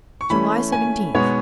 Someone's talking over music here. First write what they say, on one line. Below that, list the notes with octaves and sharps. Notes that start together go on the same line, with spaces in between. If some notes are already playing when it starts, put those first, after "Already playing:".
July Seventeenth.
C#6
E3 A3 C#4 B5
G#5
B2 G#3 B3 D#4 C#5